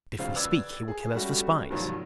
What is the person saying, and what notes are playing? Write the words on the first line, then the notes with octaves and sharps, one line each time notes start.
But if we speak, he will kill us for spies.
E1 C#3 F4 C5 F5
B4 D5 E6 G#6
G#4
G3 A3 C#4 F#4
C2 G2 B2 D#3 F3 F#3